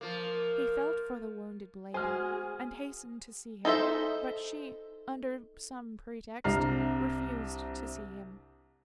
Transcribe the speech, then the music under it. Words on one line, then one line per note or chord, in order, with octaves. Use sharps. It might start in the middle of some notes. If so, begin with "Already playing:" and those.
He felt for the wounded lady, and hastened to see her; but she, under some pretext, refused to see him.
F3 A#3
G#3 F#4 G#4 C5 G#5 F6
D#4 A4 C5 E5
C2 C3 D4 A#5 F6 C7